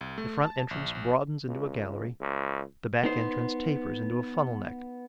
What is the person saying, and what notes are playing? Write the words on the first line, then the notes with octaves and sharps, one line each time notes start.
The front-entrance broadens into a gallery; the back-entrance tapers into a funnel-neck.
C2
A3
A5
A#1
A#1
C#2
C#2
B3 D#4 C5